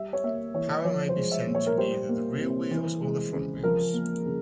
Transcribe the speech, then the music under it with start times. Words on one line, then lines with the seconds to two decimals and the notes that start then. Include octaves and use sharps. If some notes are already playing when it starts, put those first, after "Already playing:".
Power may be sent to either the rear wheels or the front wheels.
Already playing: G3 E5
0.13 C#5
0.24 A#3 E5
0.54 E3 C#5
0.85 F3 C#5
1.09 C5
1.16 G#3
1.32 E5
1.47 A#2
1.55 C#5
1.67 A#4
1.78 G3 C5
2.09 A#3
2.39 C3
2.71 E3
3.02 G#3
3.33 C#3
3.63 F3 A#4
3.94 A#3
4.26 C#3